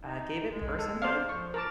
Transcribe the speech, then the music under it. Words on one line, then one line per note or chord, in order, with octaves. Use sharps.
uh, gave it personhood,
D#4
G#3
A4
C5 D5 F5
F3 C#6
A#4 A5 D6